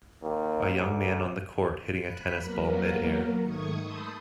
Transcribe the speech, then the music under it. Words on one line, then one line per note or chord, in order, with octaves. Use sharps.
A young man on the court hitting a tennis ball midair.
D#2
D2
B5 F#6 B6
F#3 A#3 B3 A#4
G#2 D#3 A3 C#6 D#6 G#6
A5 B5 C6 D#6 E6 G6